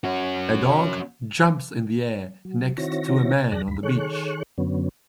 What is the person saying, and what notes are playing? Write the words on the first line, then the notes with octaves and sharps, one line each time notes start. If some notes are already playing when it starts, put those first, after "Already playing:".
A dog jumps in the air next to a man on the beach.
C#4 F#4
F#3
D#3 C4 E4 F#4 C#5 A#6
F2 G#4 D5 A5 F#6 A#6
D#2 B5
D#3 G#4 A4 C#5 C#6 F#6
F#2 D3 F#3 B3 C#4